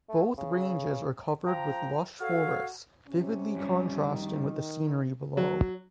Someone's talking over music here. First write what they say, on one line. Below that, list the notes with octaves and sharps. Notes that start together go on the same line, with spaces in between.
Both ranges are covered with lush forests vividly contrasting with the scenery below.
A3
C#3
F3 G5 A#5
F#4 A4 C#5 F5
C3 C#4
F2 G3
D#3
F#3